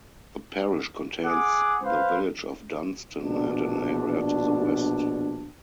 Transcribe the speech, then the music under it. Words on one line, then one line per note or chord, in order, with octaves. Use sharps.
The parish contains the village of Dunston and an area to the west.
G#4 F#5 D6
B4 C5 F5
A#1 B2 D4